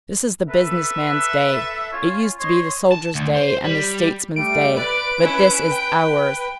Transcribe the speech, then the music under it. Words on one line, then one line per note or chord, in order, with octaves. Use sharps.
This is the business man's day; it used to be the soldier's day and the statesman's day, but this is OURS!
A4 B4 E5
C#4 F4 C#5
C5 C#5 D#5 C6
A5
D2
C5
G3
G3 A3 D7
B4 D5
C#4 E4
G5